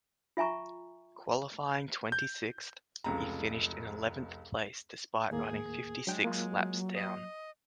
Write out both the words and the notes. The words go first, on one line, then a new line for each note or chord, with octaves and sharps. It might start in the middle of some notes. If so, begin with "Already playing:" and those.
Qualifying twenty-sixth, he finished in eleventh place despite running fifty-six laps down.
F4 E5 G#5 A#5 C#6
G6
F1 C#2 A#5
D#2 A2 A#3 G#4
F#3 G#3 D4 G5
F#3 A#3 F4
D#5